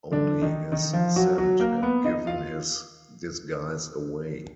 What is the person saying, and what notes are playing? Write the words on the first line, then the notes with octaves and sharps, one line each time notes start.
Only his scent had given his disguise away.
D3 D4
D#3 D#4
D#3 D#4
F3 F4
F#3 F#4
F#3 F#4
A#3 A#4
B3 B4
D#4 D#5
F4 F5